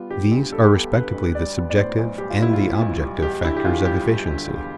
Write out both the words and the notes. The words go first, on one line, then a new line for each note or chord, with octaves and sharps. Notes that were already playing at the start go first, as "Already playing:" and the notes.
These are respectively the subjective and the objective factors of efficiency.
Already playing: G3 B3 F4
D3 G4
D2
G3 A4
G4
B3 A4
D3 B4
D2
G3 D5
B3
D5
A2 C5
B1
G3 G4
F4
B3 E4
F4
A2
B1
G3
E2 G4
D3 E4
G4
E2 F4
G3 G4
E2
D3
E2